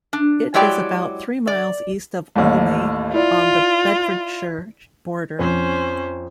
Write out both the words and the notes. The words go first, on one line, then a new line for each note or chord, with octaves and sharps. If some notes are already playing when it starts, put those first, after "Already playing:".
It is about three miles east of Olney, on the Bedfordshire border.
D4
F#3 G#3 E4 G4 D5 G5
D5
A1 D#2
E4 F4 D5
F2 C#4 C5